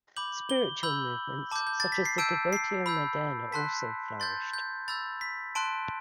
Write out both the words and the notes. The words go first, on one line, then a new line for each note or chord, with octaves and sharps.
Spiritual movements such as the Devotio Moderna also flourished.
B5 D6 G6 F#7
G7
B5 E6 G6 F#7
A5 D6 G6
G6
A6
B6
C7
A5 E6 G6 D7
C7
B5 E6 G6
A5 C6 F#6 B6
C6 G6 A6
G6
B5 E6 G6 A6
B6
A5 C6 F#6 D7